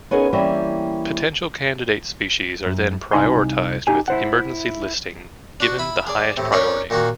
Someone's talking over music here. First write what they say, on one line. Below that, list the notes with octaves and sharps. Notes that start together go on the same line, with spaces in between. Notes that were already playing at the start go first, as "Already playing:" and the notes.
Potential candidate species are then prioritized, with "emergency listing" given the highest priority.
B3 C#4 D#4 G#4 A#4
E3 G3 A#3 C4 C#4 E4
F#2
C2 D#4 G#5 C6
D#4 G4 G#5
E4 C5 F#5
D4 F#4
E4 B5
G#4 D5
A2 C3
C#4 D#4 A#4 C#5 D5
A#2 D#3 A#3 F#4